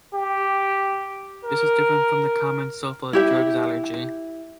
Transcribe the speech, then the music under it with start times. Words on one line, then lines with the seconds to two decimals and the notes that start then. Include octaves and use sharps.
This is different from the common sulfa drugs allergy.
0.15 G4
1.45 A#4
3.13 E4 G4 E5